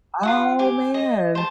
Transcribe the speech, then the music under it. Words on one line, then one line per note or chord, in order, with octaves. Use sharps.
Oh, man.
F4 F#4 F#5
G4 G#5
D#5
C5 A5